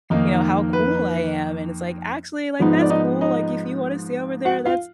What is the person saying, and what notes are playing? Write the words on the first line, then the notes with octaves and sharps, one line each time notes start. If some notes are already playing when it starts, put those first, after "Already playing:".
you know, how cool I am, and it's like, "Actually, like, that's cool, like, if you wanna stay over there, that's"
F2 D#3 A#3 D#4 D#5
B4
G#2 F3 B3 D#4
D5
D#4 D#5
D#4 D#5
F#4 F#5
F4 F5